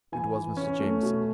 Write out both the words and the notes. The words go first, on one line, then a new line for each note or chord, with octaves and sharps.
It was Mr. Jamieson.
E3 G#5
E3
C#4
A3
B2